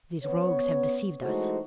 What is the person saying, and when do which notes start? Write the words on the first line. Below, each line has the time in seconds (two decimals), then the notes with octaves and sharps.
'These rogues have deceived us.
0.23 B3 C#4 C#5
1.23 E3 G#3 A3 D#4 F#4 C5